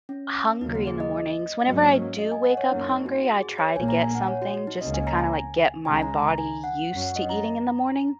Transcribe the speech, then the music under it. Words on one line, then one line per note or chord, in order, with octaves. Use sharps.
hungry in the mornings; whenever I do wake up hungry, I try to get something just to kinda, like, get my body used to eating in the morning.
C#4
D#2 C#3 F#3 A#3 D#4
F#4
G#4
D#5
G#2 F#3 A#3 C#4
D#5
G#5
F#5
C#5
F#2 F#3 A#3 C#4 D#4
D#4
F#4
F#4
G#4
C#5
A#1 A#2 A#3 G#5
A#5
G#5
F#5
C#5
F#4
F#4
D#4
C#2 C#3 A#3 C#4 D#5
G#5
A#5
G#5
C#2 C#3 G#3 G#5
A#5
A#5
G#5
F#5
F#2 F#3 C#4
F#5
D#5
A#5